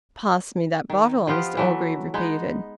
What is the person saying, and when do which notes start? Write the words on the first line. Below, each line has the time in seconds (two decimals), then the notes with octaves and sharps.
"Pass me that bottle," Mr Orgreave repeated.
0.90 D#3
1.27 F3 B3 F4 G4
1.57 E3 F#3 A3
2.14 G#3 B3 D#4